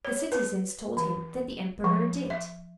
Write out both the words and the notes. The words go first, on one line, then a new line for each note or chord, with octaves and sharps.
The citizens told him that the emperor did.
C#5
B4
E3
F3
E5